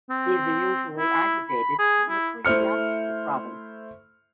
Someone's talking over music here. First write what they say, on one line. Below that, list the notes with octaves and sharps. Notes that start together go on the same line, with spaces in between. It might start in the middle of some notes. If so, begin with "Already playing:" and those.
These are usually "aggregated" to an ecclesiastical province.
C4
E4
B5
G#4
E4
A3 E4 C5 F6 C#7